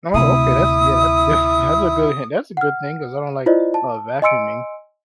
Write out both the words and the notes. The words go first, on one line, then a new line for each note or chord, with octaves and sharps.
Oh, okay, that's yeah, that's def that's a good han that's a good thing 'cause I don't like, uh, vacuuming.
D2 C3 E4 D#6
F#5 F6
E4 F4 C5 D5 D#5
A5
D#5 G#5 C6 E6 C#7 D7